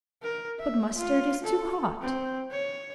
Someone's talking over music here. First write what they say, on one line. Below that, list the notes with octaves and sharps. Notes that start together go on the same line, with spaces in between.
"But mustard is too hot."
A#4
E5
F4
A4
C4
C#5